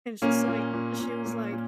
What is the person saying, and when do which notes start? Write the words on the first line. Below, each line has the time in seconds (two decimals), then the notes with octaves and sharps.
and s so, like, she was like
0.22 A#2 A#3 C#4
0.48 A#2
0.74 A#2
1.00 A#2
1.26 A#2
1.53 A#2